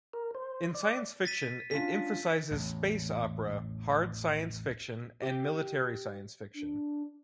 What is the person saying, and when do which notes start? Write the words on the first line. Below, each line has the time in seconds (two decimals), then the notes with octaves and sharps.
In science fiction, it emphasizes space opera, hard science fiction, and military science fiction.
0.13 A#4
0.35 C5
0.74 D5
1.25 A6 B6 D#7
1.71 C#4 D4 F4 B6
2.51 A1 E2
5.22 G4 G5
6.54 D4